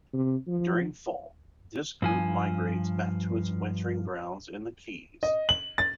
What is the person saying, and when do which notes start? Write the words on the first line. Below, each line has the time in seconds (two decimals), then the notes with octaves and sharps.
During fall, this group migrates back to its wintering grounds in the Keys.
0.13 C3
0.48 F3
2.02 G2 F3 G#5
5.23 D#5
5.49 F#7
5.78 A6